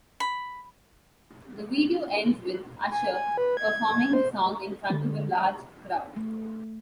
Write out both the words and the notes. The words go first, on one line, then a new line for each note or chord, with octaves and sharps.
The video ends with Usher performing the song in front of a large crowd.
B5
G#5
G#5
B4
G#6
C5
D3
A3